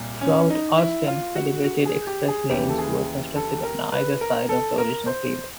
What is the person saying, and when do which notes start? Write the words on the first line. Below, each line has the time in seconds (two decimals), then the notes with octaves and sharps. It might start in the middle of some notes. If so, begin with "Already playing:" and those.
Throughout Austin, elevated express lanes were constructed on either side of the original freeway.
Already playing: C2 A#2
0.21 C#4
0.50 D#4
0.78 E4
1.07 F4
1.35 F#4
1.64 F#4
1.85 G#4
2.07 G4
2.28 G#4
2.49 D#2 C#3 E3 G4
2.69 A4
2.79 G#4
3.36 A4
3.63 A#4
3.92 B4
4.21 A#4
4.49 A4
4.78 A#4
5.06 C5